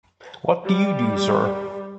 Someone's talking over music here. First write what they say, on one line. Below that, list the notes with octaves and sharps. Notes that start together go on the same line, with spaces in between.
What do you do, sir?
G3